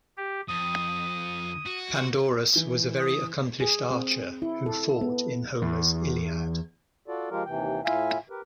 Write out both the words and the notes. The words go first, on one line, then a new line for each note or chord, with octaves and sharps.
Pandorus was a very accomplished archer who fought in Homer's "Iliad".
G4
F2 D#6
F#4
E3 G7
D#6
G#4
C4
E4
A4
B3
E2
F4 F#4 A4 D5
F3 G#3 F4 G4 A#4
D#2 C3 E3 G5
A2 E4 F4 E5 F5 G#5
G4 A#4 B4